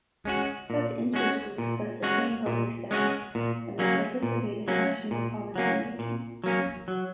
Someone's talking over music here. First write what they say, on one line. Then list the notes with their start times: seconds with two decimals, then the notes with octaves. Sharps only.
Such interest groups thus attain public status, and they participate in national policymaking.
0.25 G#3 C#4 F#4
0.70 A#2
1.14 G#3 C#4 F#4
1.58 A#2
2.03 G#3 C#4 F#4
2.46 A#2
2.91 G#3 C#4 F#4
3.35 A#2
3.79 F#3 A#3 C#4
4.23 A#2
4.68 F#3 A#3 C#4
5.11 A#2
5.56 F#3 A#3 C#4
5.99 A#2
6.44 F#3 A#3 C#4
6.88 F#3